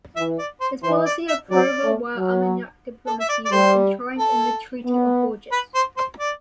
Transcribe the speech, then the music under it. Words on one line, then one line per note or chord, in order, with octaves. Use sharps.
His policy of pro-Valois Armagnac diplomacy was enshrined in the Treaty of Bourges.
E3 E5
D5
C5
E3 C5
D5
E5
F#3 D5
A3
F#3
A4
E5
D5
D5
G3 C5
A4
B3
B4
C5
C5
D5